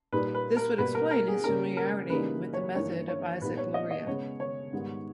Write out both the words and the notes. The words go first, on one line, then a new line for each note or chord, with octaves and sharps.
This would explain his familiarity with the method of Isaac Luria.
A#2 G3 A#3 D#4 B4
B4
A#4
B2 G3 A#3 B4
A#4
A#4
G#4
C#3 G3 A#3 C#4 A#4
A#4
C#3 E3 G3 A#3 D#4 B4
C#5
G2 E3 A#3 D#4 C#5
C#5
A#2 G3 B3 D#4 B4
C#5
D#5
D#5
C#3 G#3 B3 C#5
C#5
G#2 D#3 G3 B3